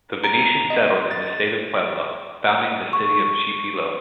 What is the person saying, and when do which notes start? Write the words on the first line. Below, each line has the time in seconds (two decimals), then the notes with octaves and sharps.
The Venetians settled in the State of Puebla, founding the city of Chipilo.
0.24 A#5
0.70 D#5
1.11 A6
2.93 C#6